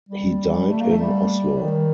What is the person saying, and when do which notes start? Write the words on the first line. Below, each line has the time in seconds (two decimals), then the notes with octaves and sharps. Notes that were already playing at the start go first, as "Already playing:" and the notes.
He died in Oslo.
0.09 G3
0.70 A3
0.81 A#3
0.90 A3
1.01 G3
1.58 F#3
1.62 D#3